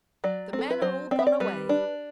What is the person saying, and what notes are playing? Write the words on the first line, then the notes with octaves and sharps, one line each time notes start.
The men are all gone away.
F#3 D5
C4
A4
B4
F#3 C5
C4 D5
E5
D5
G3 B4
D4